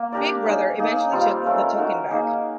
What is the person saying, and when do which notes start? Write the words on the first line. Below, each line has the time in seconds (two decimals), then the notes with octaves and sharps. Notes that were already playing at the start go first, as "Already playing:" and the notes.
Big Brother eventually took the token back.
Already playing: A#3
0.12 D4 G4 A#4 D5
0.46 D#4 G#4 C#5
0.79 A#3 D#4 G#4
1.12 G3 C4 F4
1.45 A3 C#4 F4 A#4
1.78 D#4 F#4 A#4
2.11 A#3 D#4 G#4